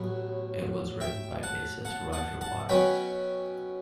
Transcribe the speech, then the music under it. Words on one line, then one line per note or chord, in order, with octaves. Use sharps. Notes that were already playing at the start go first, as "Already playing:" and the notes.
It was written by bassist Roger Waters.
Already playing: A1 A2 F#3 B3
E5 G5
F#5 A5
F#5 A5
F#5 A5
F#5 A5
B2 F#3 C#4 G5 B5